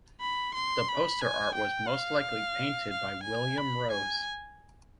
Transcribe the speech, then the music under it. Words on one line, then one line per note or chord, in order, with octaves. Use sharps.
The poster art was most likely painted by William Rose.
B5
C6
B5
G#5
G5
F5
F5
G#5
B5
G#5